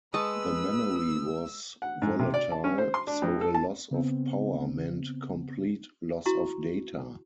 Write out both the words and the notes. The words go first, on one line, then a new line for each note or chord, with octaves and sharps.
The memory was volatile, so a loss of power meant complete loss of data.
G#3 B4 A5 C#6 D#6 E6
F#5
G#2
C3
D5
A5
C#4
C5
C6
D4
F2
A4
A5
C#3 B3 C4
E4 F#4 A#5 C#6